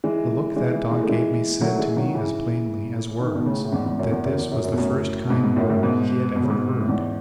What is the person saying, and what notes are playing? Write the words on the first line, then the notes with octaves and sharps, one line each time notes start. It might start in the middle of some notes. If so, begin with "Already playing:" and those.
The look that dog gave me said to me as plainly as words that this was the first kind word he had ever heard.
E3 G#3
E3 G#3
E3 G#3
E3 G#3
A3
E3 G#3
F#3 A3
E3 G#3
D#3 F#3
C#3 E3
D#3
E3
B2 D#3
A2 C#3
A2
E2 G#2
E2
F#2
E2
F#2
E2
F#2
F#2
B2
F#2 A2
G#2 B2
G#2 B2
F#2 A2
F#2 A2
G#2 B2
B2
C#3
G#2 B2
A2
E2 G#2